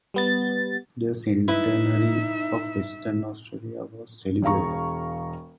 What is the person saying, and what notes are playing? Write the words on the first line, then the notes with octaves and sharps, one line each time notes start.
The centenary of Western Australia was celebrated.
G3 B3 A6
D#4 E4 B4 E5
E1 G#4 F5 A#5 C#6